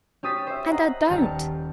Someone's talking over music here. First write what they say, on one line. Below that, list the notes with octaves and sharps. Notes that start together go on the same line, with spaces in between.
And I don't.
C#4 G4 C5 D#6 A6 B6
C5 E5
D#5 F#5 A#5
D#1 G4 A4 A5 F6 C#7